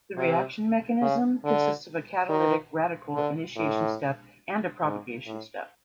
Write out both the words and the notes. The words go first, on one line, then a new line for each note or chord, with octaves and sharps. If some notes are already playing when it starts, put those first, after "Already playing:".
The reaction mechanism consists of a catalytic radical initiation step and a propagation step.
C3
C#3
D3
D#3
D3
A2
G#2
A2